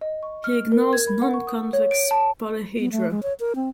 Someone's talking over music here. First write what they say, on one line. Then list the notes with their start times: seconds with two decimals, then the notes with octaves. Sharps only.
He ignores nonconvex polyhedra.
0.01 D#5
0.23 C#6
0.44 F6
0.72 A#4
0.93 G#6
1.07 B5
1.22 F#5
1.34 C#6
1.47 D#6
1.73 C#5
1.91 D7
2.11 A5
2.79 B3
2.92 A3
3.11 G#3
3.23 C#5
3.40 A#4
3.56 C4